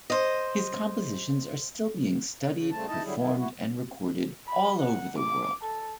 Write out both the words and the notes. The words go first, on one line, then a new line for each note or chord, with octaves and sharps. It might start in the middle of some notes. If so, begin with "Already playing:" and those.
His compositions are still being studied, performed and recorded all over the world.
C5 D#5
C#3
G2 C#3 A3 C4 A5
D#4 E4 D#5 A5
D3 F#3 G3 E4 G#4
F#2 B2 D#3 B3 E4
E4 F#4
B5
F#5
D6
A4